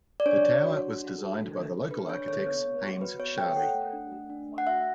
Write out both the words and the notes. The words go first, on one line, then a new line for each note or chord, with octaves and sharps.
The tower was designed by the local architects Hames Sharley.
D5
D4 C#5
D4
F#4
D4
F#4
A4
D4
A4
A4
D4 B4
D4 C#5
A4 C#5
B3
B3
F#4
F#4 B4
B3 C#5
A4 G5
A4 F#5
A3
D4
A3
D4
A3
F#5
F#4 E5